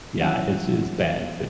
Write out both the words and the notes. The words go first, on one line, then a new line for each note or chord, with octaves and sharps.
Yeah, it's it's bad.
E3 F#3 C#4 E5 F#5